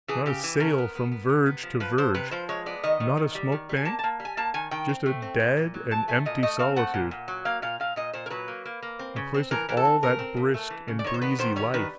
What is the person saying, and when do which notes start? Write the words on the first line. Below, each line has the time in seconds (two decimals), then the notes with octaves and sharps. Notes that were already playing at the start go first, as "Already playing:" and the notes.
Not a sail, from verge to verge, not a smoke-bank--just a dead and empty solitude, in place of all that brisk and breezy life.
0.08 E3 G#4
0.26 C#3 G4
0.44 E3
0.60 C#3 A#4
0.78 B3
0.95 B3
1.12 B3
1.29 C3
1.46 B3
1.63 F3
1.80 F3 B4
1.98 F3 C5
2.15 C3 B4
2.31 F3 C5
2.49 G#3 C#5
2.66 B3 D5
2.84 D#3 D#5
3.00 D#3
3.17 D#3
3.35 G3
3.52 D#3
3.69 G3
3.76 G#5
3.85 A#3 A5
3.99 A5
4.04 A#3
4.20 G3
4.25 G#5
4.37 A#3 A5
4.54 D#3 G#5
4.71 D#3 G5
4.89 C4
5.06 A3
5.22 C4
5.40 A#2
5.57 A#2
5.74 F#3
5.91 F#3 A5
6.08 A3 G#5
6.26 A#2 D#5
6.43 A3 D#5
6.59 C4 F5
6.77 A3 F#5
6.94 A#2
7.11 A#2
7.28 F#3
7.45 A#3 F5
7.62 A#2 F5
7.80 A#2 F5
7.96 A#2 D#5
8.13 A#2 C5
8.26 A#4
8.30 F#3 B4
8.48 A#3
8.66 A#3
8.83 A#3
8.99 C4
9.16 C#3
9.34 C4
9.51 E3 A#4
9.69 E3 A#4
9.77 A4
9.85 C4
10.03 C#3 A#4
10.19 C4
10.37 C#3
10.54 A3
10.70 E3
10.88 C#3
10.99 D5
11.05 D#3 C#5
11.14 C5
11.22 B3 B4
11.39 D#3 C5
11.56 G3 C#5
11.74 D#3 B4